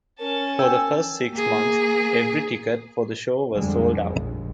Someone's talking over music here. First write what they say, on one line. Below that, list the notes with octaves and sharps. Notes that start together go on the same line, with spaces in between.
For the first six months, every ticket for the show was sold out.
C#4 A#4 A5
G5 G#5 E6
A#3 G#4
F2 D3 G3 G#3
A#1 D#2